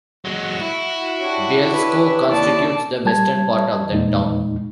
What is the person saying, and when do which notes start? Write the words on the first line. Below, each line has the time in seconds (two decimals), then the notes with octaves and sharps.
Bielsko constitutes the western part of that town.
0.25 F#3 G#3 F#4
0.61 E4
1.20 D4 G4 C#5
1.73 B4
2.30 D#2 D5 A5
3.05 G3 G4 A5 G#6
3.90 E2 A#2 G#3 D#4